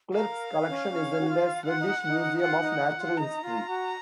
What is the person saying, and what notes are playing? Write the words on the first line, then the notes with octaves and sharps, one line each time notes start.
Clerck's collection is in the Swedish Museum of Natural History.
A#4 F5
C#5
B4
C#4 C#5
C#4 C#5
F#4
F4
F4 F#5
D#4
D#4
F4 F#5
D#4
D#4
F4
D#4 A#5
F4
F#4